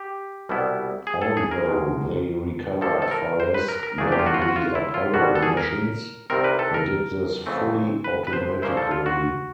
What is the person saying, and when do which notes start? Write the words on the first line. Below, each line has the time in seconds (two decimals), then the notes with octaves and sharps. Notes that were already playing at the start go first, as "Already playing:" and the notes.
Although they recovered far less than the Apollo missions, they did this fully automatically.
Already playing: G4
0.49 C2 B2 G3 B3 E4
1.07 G#4
1.22 A4
1.37 G#4
1.51 A#4
1.66 E2 B2 G#3
2.81 A2 F3 A#3 A4
3.02 A4
3.11 A#4
3.40 C5
3.54 B4
3.68 A#4
3.83 A#4
3.98 C2 A#2 F#3 A3 D4 G#4
4.12 G4
4.19 F4
4.26 F#4
4.34 F4
4.42 F#4
4.56 F4
4.75 E4
4.94 F4
5.14 C2 B2 G3 B3 F#4
5.35 A4
5.43 G#4
5.57 A#4
6.30 C2 C3 D#3 G3 C4 A#4
6.44 B4
6.59 A4
6.74 A#4
7.46 F2 C#3 E3 A3 C4
8.04 B4
8.27 B4
8.33 C5
8.62 A#2 F3 A#3 C#4 E4 C5
8.77 A4
8.91 F4
9.06 F#4